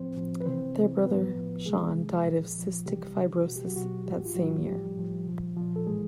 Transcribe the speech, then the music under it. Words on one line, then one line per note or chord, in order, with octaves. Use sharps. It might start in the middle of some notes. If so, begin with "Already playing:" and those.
Their brother, Sean, died of cystic fibrosis that same year.
Already playing: A2 F3 C4 C5
A2 F3
B4
C3 E3 C4 C5
C3 E3
A2 F3 B3 B4
A2 F3
C3 E3 G#3 G#4
C3 E3
A#2 F3
A#2 F3
C3 E3 G3 G4
C3 E3
B2 F#4
G4
F#3 F#4
B2 F#3 F#4
A2 E3 G4
F#4
F4
A2 E3 F#3 F#4
A2 F3 G3 G4
A2 F3
A#2 F3
A#2 F3
A4
A2 E3 G#3 G#4